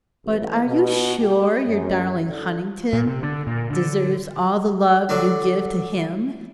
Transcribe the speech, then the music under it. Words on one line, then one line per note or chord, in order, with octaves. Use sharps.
But are you sure your darling Huntingdon deserves all the love you give to him?'
A1
B2
G4
F#2
D3
A#2
C3
D3
A#2
D3
D3 F#3 D4